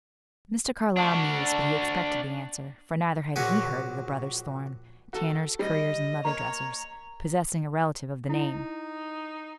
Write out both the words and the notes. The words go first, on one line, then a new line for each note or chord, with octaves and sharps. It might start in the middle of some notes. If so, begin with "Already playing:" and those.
Mr. Carlyle mused, but he expected the answer, for neither had he heard of the brothers Thorn, tanners, curriers, and leather-dressers, possessing a relative of the name.
D4 F#4
A#1 A#2 F#3 C#4 F#4
F#4 A4
G3 D#5
A#3 C#5 A#5
D#4 E4